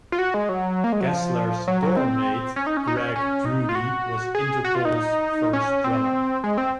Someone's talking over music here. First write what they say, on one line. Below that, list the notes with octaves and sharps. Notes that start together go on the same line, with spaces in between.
Kessler's dormmate Greg Drudy was Interpol's first drummer.
F4
F#4
G#3
F#3
A#3
G#3
F#3
F3
F#3
F#3
C4
C#4
D#4
C#4
D#4
C#4
C#4
D#4
F4
F#4
G#4
F#4
F4
D#4
C#4
C4
G#3
C4